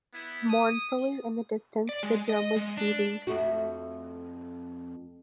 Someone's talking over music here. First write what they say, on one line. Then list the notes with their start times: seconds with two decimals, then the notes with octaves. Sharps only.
Mournfully, in the distance, the drum was beating.
0.13 B3 E4
0.50 D#6
1.89 D5
2.03 G#3
2.29 D#5
2.56 G#3
2.77 D4
3.27 F2 A3 F#4